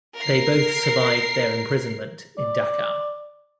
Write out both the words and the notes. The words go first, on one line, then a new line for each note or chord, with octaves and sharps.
They both survived their imprisonment in Dachau.
A#4 C7
D5